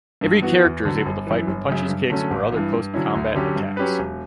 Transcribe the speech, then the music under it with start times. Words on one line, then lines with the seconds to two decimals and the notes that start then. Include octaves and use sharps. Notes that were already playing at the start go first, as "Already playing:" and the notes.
Every character is able to fight with punches, kicks, or other close combat attacks.
0.21 G2
0.42 E3 B3 F#4
0.64 E2
0.85 D3 F#3
1.06 G1
1.27 F#2 E3
1.47 G1
1.68 F#2 C#3
1.89 G2
2.10 D3 F#3 A3 C#4
2.31 A1
2.52 G2 E3
2.73 G2
2.94 D3 F#3 C#4 E4
3.15 D2
3.35 D3 F#3 C#4 G4
3.56 G2
3.77 F#3 C#4 G4 B4
3.99 E1